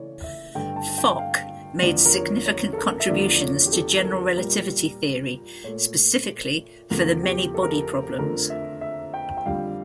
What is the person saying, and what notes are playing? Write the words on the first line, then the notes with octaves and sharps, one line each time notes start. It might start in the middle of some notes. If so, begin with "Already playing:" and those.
Fock made significant contributions to general relativity theory, specifically for the many body problems.
Already playing: C#3 E3 A3 C#5 D5
E5
G2 D3 A3 G5
A5
G5
F5
E2 D3 F3 D5
A#4
C#5
C#5
A4
A#4
E5
E2 D3 F3 A3 D5
D5
C#5
G4
A4
A#4
A4
A#2 G3 A#4
A#2 A3 C#5
E2 C#3 F3 A3 A#4
G4
A4
A#4
A4
F2 D3 A3 A#4
E5
E5
G5
G5
F2 D3 G3 F5